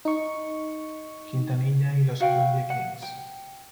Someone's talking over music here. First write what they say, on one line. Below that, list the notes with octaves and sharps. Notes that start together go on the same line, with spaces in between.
Quintanilla Y Los Kumbia Kings.
D#4 C#6
F#4 F5 G5
F#5
G5